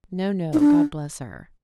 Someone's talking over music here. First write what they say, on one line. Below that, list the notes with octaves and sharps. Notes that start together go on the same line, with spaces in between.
No, no, God bless her!
D#4
D4